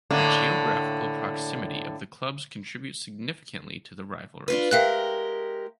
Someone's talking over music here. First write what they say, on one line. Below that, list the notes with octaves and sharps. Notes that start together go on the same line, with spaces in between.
The geographical proximity of the clubs contributes significantly to the rivalries.
A2 D3 A#3
D4 F4 B4
G#3 G4 A#4 E5 F5 F#6